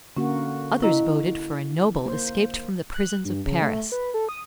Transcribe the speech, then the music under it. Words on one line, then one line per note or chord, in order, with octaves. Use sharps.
Others voted for a noble escaped from the prisons of Paris.
D3 A#3 C#4 F#4
E4 D#5 A#5
A#3 C5
F#6
G2
C#3
A3
B4
A4
D#6